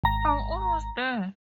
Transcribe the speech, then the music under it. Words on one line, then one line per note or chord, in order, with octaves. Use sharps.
I'm almost there.
G#1 A#5